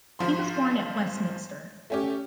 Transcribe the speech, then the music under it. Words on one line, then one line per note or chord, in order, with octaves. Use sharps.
He was born at Westminster.
G#1 F3 C6
A3 C#4 G4